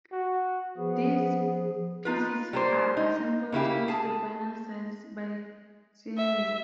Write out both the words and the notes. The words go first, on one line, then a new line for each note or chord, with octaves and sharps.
These pieces are assembled into the final size by seaming.
F#4
F3 B3 G#4
D#4 F4 B4
G3 A#3 C5
D#4
C#3 A#3 E4 G4
G#4 A5
E5